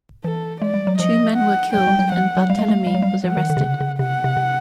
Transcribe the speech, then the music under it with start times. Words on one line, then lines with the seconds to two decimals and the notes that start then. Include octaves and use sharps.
Two men were killed, and Barthelemy was arrested.
0.24 E3 A4
0.62 G#3 D5
0.74 G3
0.87 F#3
0.99 F3 D#5
1.37 F#5
1.74 F#3 G5
1.87 G3
1.99 F#3
2.12 F3 F#5
2.37 F#3
2.49 G3 F5
2.59 G#3
2.68 A3
2.87 G3
2.94 F#3
3.02 G3
3.24 F3 F#5
3.37 D#3
3.50 D3
3.57 C3
3.61 C#3
3.80 C#3
3.99 C3 F#5
4.24 C3
4.37 C3